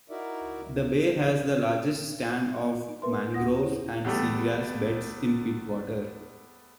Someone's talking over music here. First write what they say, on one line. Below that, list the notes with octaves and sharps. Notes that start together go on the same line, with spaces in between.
The bay has the largest stand of mangroves and sea grass beds in Pittwater.
D#4 E4 F#4 A#4 D5 E5
D#4
A#4 B4 E5 C6
D#2 F#5 D#6 A#6
E4 G#4 C5 C#5
E2 G3 A3 G4